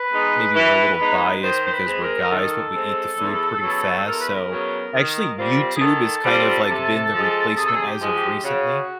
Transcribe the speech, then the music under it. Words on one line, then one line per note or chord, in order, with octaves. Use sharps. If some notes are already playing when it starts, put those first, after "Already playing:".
maybe we're a little biased because we're guys, but we eat the food pretty fast. So, actually, YouTube is kind of, like, been the replacement as of recently.
Already playing: B4
G#3 B3 D#4
E3
G#3 B3 D#4
D#3 C5
C5
B4
G#3 C4
A#4
A#4
D#3 A4
G#3 C4
E2
C#3 F#3 B3
E2 A#4
B4
A#4
C#3 F#3 B3
D#3
G3 C4 F4
G#4
D#3 A4
G3 C4 F4
C3
F3 G#3
C3 G#4
A4
G#4
G4
F3 G#3
G4
C#3 F#4